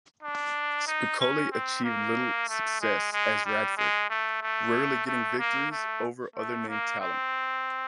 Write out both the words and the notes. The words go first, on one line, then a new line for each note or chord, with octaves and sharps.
Spicolli achieved little success as Radford, rarely getting victories over other name talent.
D4
D#4
C#4
C4
A#3
A3
G#3
G#3
G3
G#3
A3
A3
A3
A#3
A3
A3
A#3
C4